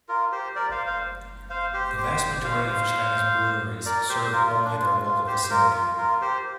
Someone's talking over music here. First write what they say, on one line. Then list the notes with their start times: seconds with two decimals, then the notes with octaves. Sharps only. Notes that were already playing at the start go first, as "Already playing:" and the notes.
The vast majority of China's breweries serve only their local vicinity.
0.09 F4 A#4
0.32 G4 C5
0.55 A#4 D5
0.71 C5 F5
0.87 C5 F5
1.50 C5 F5
1.73 G4 C5
1.97 G4 C5
2.44 C5 F5
2.68 C5 F5
3.85 A#4 D5
4.09 G4 C5
4.32 F4 A#4
4.49 F4
4.64 D4
4.80 F4
5.03 F4
5.27 G4 C5
5.50 F4 A#4
5.74 F4
5.98 F4 A#4
6.21 G4 C5